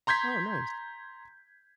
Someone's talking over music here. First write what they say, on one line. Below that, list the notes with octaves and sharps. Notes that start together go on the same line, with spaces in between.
Oh, nice.
A#5 C6 G6 G#6 B6